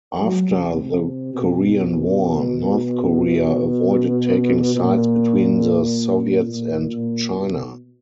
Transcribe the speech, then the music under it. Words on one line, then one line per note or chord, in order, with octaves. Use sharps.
After the Korean War, North Korea avoided taking sides between the Soviets and China.
F#3
C3
B2
A#2
A#2
A#2
B2